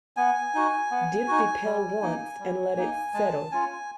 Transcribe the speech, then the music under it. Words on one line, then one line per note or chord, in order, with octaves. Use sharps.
Dip the pail once and let it settle.
B3 G#5
D#4 F#4
B3
D#4 F#4
G3
A#3 D#4
G3
A#3 D#4
G#3 A5
C#4 F4 G#5